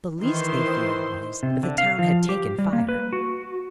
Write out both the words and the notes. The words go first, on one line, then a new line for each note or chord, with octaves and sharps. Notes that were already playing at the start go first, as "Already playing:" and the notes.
The least they feared was, that the town had taken fire.
D#3 E3 E4 C5 C6
C3
D3
F5
F3
G4
G3
A#3
B4
F#4